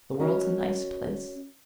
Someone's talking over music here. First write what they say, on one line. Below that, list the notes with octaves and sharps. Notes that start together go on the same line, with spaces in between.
The world's a nice place.
C#4 F#4 A#4 D#5